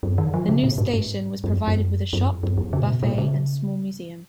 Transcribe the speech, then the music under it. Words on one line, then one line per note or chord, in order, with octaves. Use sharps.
The new station was provided with a shop, buffet and small museum.
F#2
D#3
F3
C#3
A#2
G#2
G#2
F#2
F2
F#2
F#2
F#2
F2
C#3
A#2
B2
A#2
C#3